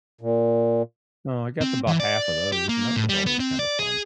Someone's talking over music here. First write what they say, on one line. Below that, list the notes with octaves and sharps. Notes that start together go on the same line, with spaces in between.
Uh, I got to 'bout half of those, and that was always kinda fun.
A#2
C4
E3
D5
G4
A#3
A2
G3
B3
C4
D5
G#4